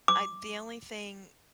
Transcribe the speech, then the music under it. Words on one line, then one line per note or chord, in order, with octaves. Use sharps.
I the only thing,
D6